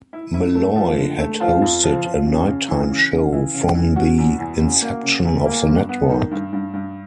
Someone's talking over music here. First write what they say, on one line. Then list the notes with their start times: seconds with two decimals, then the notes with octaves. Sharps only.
Malloy had hosted a nighttime show from the inception of the network.
0.13 E4
0.34 E4
0.55 A3
0.76 F3
0.98 D3
1.19 A3
1.40 F3 F4
1.62 F2
1.83 F3
2.04 F3
2.26 C#3
2.47 C#3
2.69 E3
2.90 C#3
3.12 C#3
3.33 E3
3.54 C#3
3.75 E3
3.96 C#3 F#4
4.18 E2
4.39 E2
4.60 C#3
4.81 A#3
5.03 C#3
5.25 E2
5.45 A#3
5.68 G2
5.89 B3
6.09 D#3
6.31 G2
6.53 G2
6.73 G2